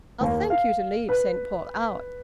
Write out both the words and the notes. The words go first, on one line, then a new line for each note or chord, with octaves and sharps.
"I'll thank you to leave Saint Paul out."
D#2
F5
B4